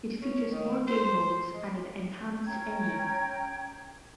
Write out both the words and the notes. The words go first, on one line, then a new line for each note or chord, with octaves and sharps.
It features more game modes and an enhanced engine.
C#4
D#3
C5
G#3
C#4 G5 A#5 G#6